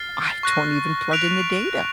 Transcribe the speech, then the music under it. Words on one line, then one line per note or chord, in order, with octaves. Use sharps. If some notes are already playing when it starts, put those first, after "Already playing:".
I don't even plug in the data.
Already playing: F6 A6 C7
C#6 F#6 A#6
F#6 B6 D7 F7